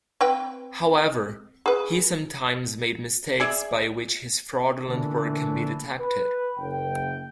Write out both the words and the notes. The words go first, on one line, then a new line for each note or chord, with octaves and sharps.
However, he sometimes made mistakes by which his fraudulent work can be detected.
C4 B4 G5
G#4 B4
G#4 D5 E5
A#2 D3 E3 A3 D4
B4
F#1 G5